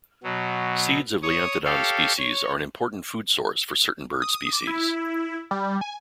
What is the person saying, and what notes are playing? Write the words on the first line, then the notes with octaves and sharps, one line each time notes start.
Seeds of "Leontodon" species are an important food source for certain bird species.
B2 F#3
C#5 C#6 D#6
G4 A4 C#5 F5
C#5
D#6
D6
E4
G3
G#5